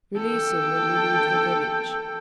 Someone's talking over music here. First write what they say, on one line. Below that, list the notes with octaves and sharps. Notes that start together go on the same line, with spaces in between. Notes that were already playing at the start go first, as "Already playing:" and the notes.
"Release him when we leave the village."
A4 G5